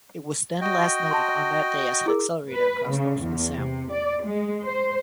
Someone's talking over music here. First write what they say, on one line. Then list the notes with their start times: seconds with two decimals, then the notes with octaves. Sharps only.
It was then last noted on that day as it accelerated across northern Assam.
0.61 F#4 D#5 G5
1.11 A5 C6
2.06 E4 G#4 A#4
2.53 B4
2.90 C#3
3.21 E2
3.55 C3
3.92 D5
4.26 G#3
4.65 C5